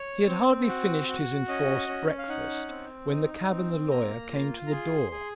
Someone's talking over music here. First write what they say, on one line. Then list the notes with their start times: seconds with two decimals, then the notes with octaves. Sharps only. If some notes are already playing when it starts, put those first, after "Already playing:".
He had hardly finished his enforced breakfast when the cab and the lawyer came to the door.
Already playing: C#5
0.27 C4
0.68 F#4
1.08 F#4
1.48 C#4 D#5
1.89 C#4
2.19 F5
2.29 D#4 F#5
2.69 C4
3.10 D#4
3.51 C4
3.91 A#3 A#5
4.31 F4
4.67 A#5
4.71 G#4 C6
5.12 G#4